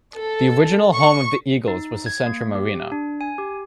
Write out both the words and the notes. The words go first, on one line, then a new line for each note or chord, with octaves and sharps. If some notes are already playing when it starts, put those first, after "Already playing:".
The original home of the Eagles was the Centrum Arena.
A4
C#6
D#4
G#6
A#3
G4
D4
G#5
G4